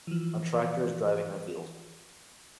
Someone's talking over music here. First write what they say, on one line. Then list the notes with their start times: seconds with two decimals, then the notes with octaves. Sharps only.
A tractor is driving in a field.
0.07 E3 F3